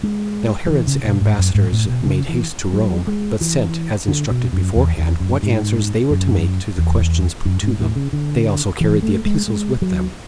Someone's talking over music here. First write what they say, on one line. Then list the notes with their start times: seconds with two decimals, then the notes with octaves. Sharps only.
Now Herod's ambassadors made haste to Rome; but sent, as instructed beforehand, what answers they were to make to the questions put to them. They also carried the epistles with them.
0.03 G#3
0.66 F#3
0.71 E3
0.87 C#3
1.04 B2
1.21 G#2
1.39 F#2
1.55 G#2
1.72 A2
1.89 B2
2.06 C#3
2.29 E3
2.73 F#3
3.07 G#3
3.41 E3
4.08 D3
4.31 B2
4.53 F#2
4.76 E2
4.98 E2
5.20 F#2
5.43 G#2
6.11 F#2
6.78 E2
7.45 F#2
7.63 G#2
7.79 A2
7.96 C#3
8.13 D3
8.81 E3
9.03 A3
9.26 G#3
9.48 G#3
9.82 F#3